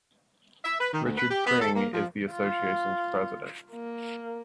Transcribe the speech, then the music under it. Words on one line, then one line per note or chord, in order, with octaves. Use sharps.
Richard Pring is the association's president.
E5
B4
D#3
D2
B4
G4
B3
A4
A#3
F3
F4
A#3